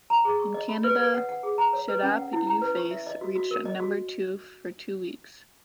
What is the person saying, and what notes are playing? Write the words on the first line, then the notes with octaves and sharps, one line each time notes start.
In Canada, "Shaddap You Face" reached number two for two weeks.
A#5
G#4
C#6
D#5
B5
B4
B4
F#5
F#5
G#4
A#5
C#5
B4
C#4
F#5
E4
A#5
B4
C#6
E5
D#5
F#4
F#4
A#4
D#5
F#4